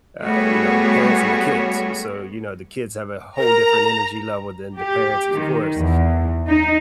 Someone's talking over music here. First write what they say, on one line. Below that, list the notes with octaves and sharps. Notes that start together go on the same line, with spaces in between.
uh, you know, the parents and the kids, so, you know, the kids have a whole different energy level than the parents, of course,
G3 A3 B3 F#4 G#4 C#5
A#4 A#5
G4
D#3
E2
D#4